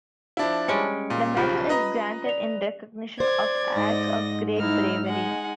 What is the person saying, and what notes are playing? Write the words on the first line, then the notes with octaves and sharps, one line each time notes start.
The medal is granted in recognition of "acts of great bravery".
F3 D4 E4
G3 G#3 C#4 C#7 D7
A#2
B1 C#3 F3 F4 G4 B5
B4 D#5 A#5
D5 F7
C5 D5 G#6
G#2 D#5 A#6
D#4 E4 F6
G#3 D#4 F#5 G#5